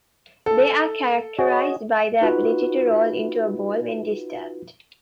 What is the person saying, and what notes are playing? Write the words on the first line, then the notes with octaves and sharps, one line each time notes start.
They are characterised by their ability to roll into a ball when disturbed.
A4
F#4 G#4 C#5 D#5
D#4 F4 F#4 B4